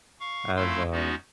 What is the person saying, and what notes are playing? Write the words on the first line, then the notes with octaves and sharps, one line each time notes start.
as, uh,
F5 C#6
F#2 A3 E4 F5 C6 E6
G#3 B3 C#4 D#4 F#4